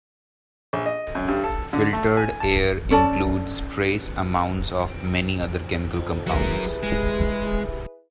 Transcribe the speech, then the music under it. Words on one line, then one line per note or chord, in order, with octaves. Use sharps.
Filtered air includes trace amounts of many other chemical compounds.
A#1
D#5
F#2
G2
A4
D3
A3
G#5
A5
C#4 A4 D5 A5
F2
F#3 E4 G#4 A#4 B4
G#3